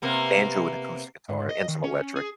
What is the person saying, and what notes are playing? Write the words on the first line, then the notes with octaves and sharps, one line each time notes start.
banjo and acoustic guitar, and some electric.
C3 A#3 B3
G#2
D#5
D#3
C#4
G#4